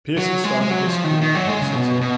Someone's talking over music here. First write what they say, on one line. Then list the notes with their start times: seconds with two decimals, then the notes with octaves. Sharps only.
Pearson started his career with Hull City.
0.17 F#3
0.44 G#3
0.61 G#3
0.70 F#3
0.87 F3
1.04 D#3
1.21 D#3
1.35 F#3
1.48 G#3
1.62 C#3
1.75 B2
2.01 B2